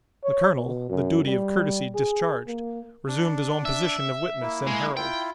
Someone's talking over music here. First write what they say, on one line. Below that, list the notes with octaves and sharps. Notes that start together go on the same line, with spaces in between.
The colonel, the duty of courtesy discharged, resumed his own position of witness and herald.
C#5
B2
F#2
G3
G#4
A#3
D4
E5
A#3 E4
G#3
E4 F4 G5